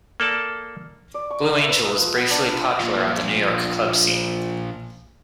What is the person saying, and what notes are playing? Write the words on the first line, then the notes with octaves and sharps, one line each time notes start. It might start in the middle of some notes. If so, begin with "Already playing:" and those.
Blue Angel was briefly popular on the New York club scene.
A#3 A4 D5 A5
D5
C#6
A#4
E5
B4
D#6
F3
B3
D4
D4
F4
A#2 F3